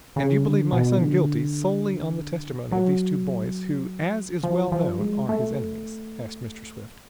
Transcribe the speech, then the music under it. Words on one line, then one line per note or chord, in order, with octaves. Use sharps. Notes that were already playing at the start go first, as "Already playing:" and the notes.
"And you believe my son guilty, solely on the testimony of these two boys, who, as is well known, are his enemies?" asked Mr. Swift.
C#3
D3
B2
F3
D3
F#3
F3
F3
G#3
A3